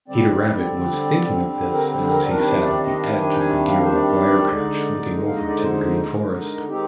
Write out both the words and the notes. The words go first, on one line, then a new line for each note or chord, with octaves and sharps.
Peter Rabbit was thinking of this as he sat at the edge of the dear Old Briar-patch, looking over to the Green Forest.
D3 G3 C4 D5
A#4
A#4
C3 D#3 G3 D4 A#4
C5
D5
D#5
F5
G#5
G5
G#5
F5
C5
D5
D3 G#3 D#4
F5
D#5
D5
C5
A#4
A#4
D#3 G#3 C4 D#4 G4